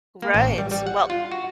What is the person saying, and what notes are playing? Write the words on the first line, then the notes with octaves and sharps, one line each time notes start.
Right, well,
A#3
A1
G3
G3
F#5
F4
F#4